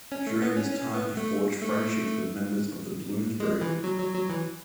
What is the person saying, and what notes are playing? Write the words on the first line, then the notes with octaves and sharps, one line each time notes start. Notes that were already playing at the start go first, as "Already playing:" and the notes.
During this time he forged friendships with members of the Bloomsbury Group.
C#4
A3
B3
C#4
C#4
B3
A3
A3
G#3
E3
F#3
F#3
F#3
E3